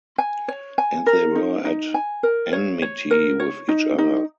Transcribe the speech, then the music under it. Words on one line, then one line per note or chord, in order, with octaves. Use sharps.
And they were at enmity with each other.
G#5
C#5
G#5
A#4
D#4
D#4
G#5
A#4
C#5
C#5
A#4
C#5
D#4
D#4